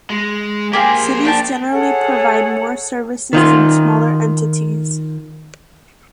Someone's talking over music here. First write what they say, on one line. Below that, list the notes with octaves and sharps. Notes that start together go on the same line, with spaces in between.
Cities generally provide more services than smaller entities.
G#3
A#3 G4 G#4 C5 F5
D4 G5 A5
G#4 A4 C#5 F#5
D#3 D#4 F4